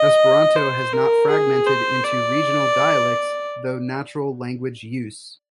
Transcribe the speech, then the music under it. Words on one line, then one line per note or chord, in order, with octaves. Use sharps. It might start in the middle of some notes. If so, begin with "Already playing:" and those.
Esperanto has not fragmented into regional dialects through natural language use.
Already playing: D#5
C5
A#4
G#4
C5
D5